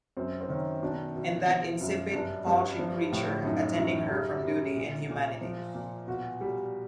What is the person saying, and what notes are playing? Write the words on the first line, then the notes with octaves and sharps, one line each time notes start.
And that insipid, paltry creature attending her from duty and humanity!
F#2 C4
C4
D#3 C#4
B2 D4
B2
F3
F#2
G2 D4
G2
F3
A2
F#2 D#4
F#2
G3
G3
A#2
A#2
F3
A#2
B2 F#4
G3